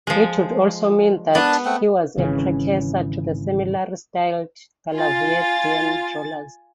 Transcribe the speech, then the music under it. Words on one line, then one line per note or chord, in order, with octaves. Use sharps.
It would also mean that he was a precursor to the similarly-styled Gallovidian rulers.
F3 G#3
B3 D4 B4 A5
A3 C4 F#5
G#1 C#3 E3 C#4
F4 G#5 A6